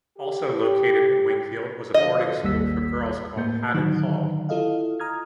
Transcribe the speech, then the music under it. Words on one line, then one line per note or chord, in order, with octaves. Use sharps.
Also located in Wingfield was a boarding school for girls called Haddon Hall.
G4
D3 F3 D#5
G#1 D#2 G3 A#3 E6 B6
A2 A#3 G6
D3 D#3 F#3 D#4
E4 F4 A4 D#5 F5
A#5 D#6 F6 G#6